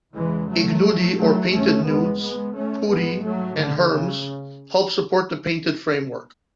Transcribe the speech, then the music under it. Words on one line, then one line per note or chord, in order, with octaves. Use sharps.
"Ignudi" or painted nudes, putti, and herms help support the painted framework.
E2 C#3 E3 G#3
F#3 A3
F#3 A3
E2 C#3 A3 C#4
G#3 B3
G#3 B3
A3 C#4
G#2 G#3 B3
F#3 A3
D3
C#3